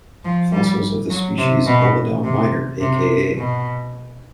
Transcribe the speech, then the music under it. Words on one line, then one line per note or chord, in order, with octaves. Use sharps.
Fossils of the species "Bolodon minor", aka.
F3
G3
F#3
C3
B2
C3
C3
B2